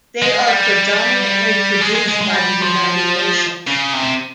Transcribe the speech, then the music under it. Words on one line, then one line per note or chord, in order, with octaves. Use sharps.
They are predominantly produced by the United Nations.
G#3
G3
G#3
G#3
G#3
G#3
G3
F3
C#3
C3